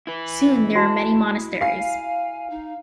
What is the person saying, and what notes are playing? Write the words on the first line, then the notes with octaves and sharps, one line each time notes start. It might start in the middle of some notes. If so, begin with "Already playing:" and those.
Soon there were many monasteries.
E4 B4
F#4 A5
F5 G#5 C7
D#4